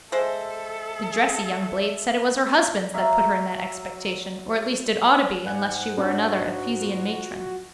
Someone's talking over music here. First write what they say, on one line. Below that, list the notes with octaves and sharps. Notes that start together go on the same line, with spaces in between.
The dressy young blade said it was her husband's that put her in that expectation or at least it ought to be unless she were another Ephesian matron.
G#3 A4 C5 E5
F#3 E5 F5
G#2 F#5 G#5 F#6
D4 F#4 C#5 F#5
F4